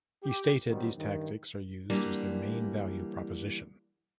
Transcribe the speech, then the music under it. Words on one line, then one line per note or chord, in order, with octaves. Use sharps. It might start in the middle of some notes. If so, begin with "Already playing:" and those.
He stated these tactics were used as their main value proposition.
G4
B2 D#3 F#3 G3 C4
G2 D#3
D3 E3 G3 A#3